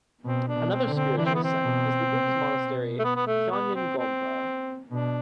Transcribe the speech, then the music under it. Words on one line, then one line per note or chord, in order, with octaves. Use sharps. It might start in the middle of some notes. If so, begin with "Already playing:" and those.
Another spiritual site is the Buddhist monastery Kyanjin Gompa.
B2 C4
D4
B2
C4
D3
C4
E3 D4
C4
B3
C4
B2
C3
B2
A3
B3
B3
A3
B3
C4
C4
B2 D4